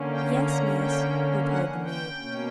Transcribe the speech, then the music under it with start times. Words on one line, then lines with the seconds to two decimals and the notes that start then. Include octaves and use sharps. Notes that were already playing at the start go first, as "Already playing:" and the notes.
"Yes, miss," replied the maid.
Already playing: D3 A#3 C#4
0.11 G5
0.45 A#5
0.80 G5
1.48 F#5
1.83 G5
2.16 B2 A#3 C#4